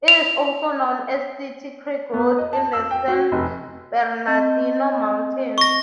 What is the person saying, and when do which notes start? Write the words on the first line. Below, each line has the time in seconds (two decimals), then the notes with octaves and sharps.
It is also known as City Creek Road in the San Bernardino Mountains.
0.08 F7
2.14 B3
2.38 D#5
2.53 A5
2.73 E6
2.91 G5
3.08 F#4
3.32 F1
4.26 C4 D#5
5.58 C#6 A#6